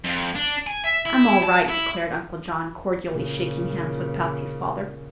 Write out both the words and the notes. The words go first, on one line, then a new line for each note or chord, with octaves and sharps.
"I'm all right," declared Uncle John, cordially shaking hands with Patsy's father.
F2
D4
G#5
E5
E4
A5
E4
A#2 C#3